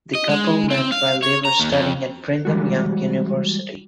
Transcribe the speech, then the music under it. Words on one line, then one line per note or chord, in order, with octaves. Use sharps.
The couple met while they were studying at Brigham Young University.
D#5
G#3
C4
F5
C#5
A#5
D#2
F2
E3 G3 G#3 F#4